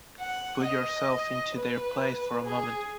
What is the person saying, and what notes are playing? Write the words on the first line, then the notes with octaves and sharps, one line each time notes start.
Put yourself into their place for a moment.
F#5
D#5
B4
G#4